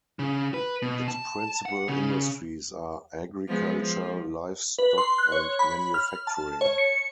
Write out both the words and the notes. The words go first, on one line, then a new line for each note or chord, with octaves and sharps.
Its principal industries are agriculture, livestock, and manufacturing.
C#3
B4
B2
A5
F#5
C#3
F3 G#3 B3
F3
B4
C6
F#6
C#5
B5
F6
A5
C#5
C#7